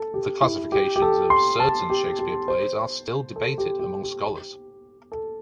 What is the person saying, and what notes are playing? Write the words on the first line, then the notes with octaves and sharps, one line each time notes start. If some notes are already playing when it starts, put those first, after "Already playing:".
The classifications of certain Shakespeare plays are still debated among scholars.
Already playing: A4
G4
E4
G4
G4
A4
C6
A5
G4
G4
C5
A4
G4
G4
G4
A4